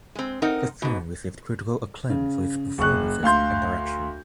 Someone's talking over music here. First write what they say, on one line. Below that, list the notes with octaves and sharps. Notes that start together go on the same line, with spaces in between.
The film received critical acclaim for its performances and direction.
G#3 C4
C4 D#4 A#4 F#5
G#2 B2
C#3
F#1 C#6 F#6
D2 F5 C6 G6